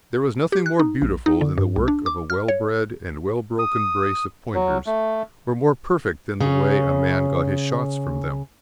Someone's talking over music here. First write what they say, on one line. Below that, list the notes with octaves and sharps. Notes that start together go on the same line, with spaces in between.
There was nothing more beautiful than the work of a well-bred and well-broken brace of Pointers, or more perfect than the way a man got his shots from them.
G4
F#6
D#4
A#1
D#4
D3
G2
C2
D4
D6
F6
C#5
D#6
F#3
A3
C#3 C#4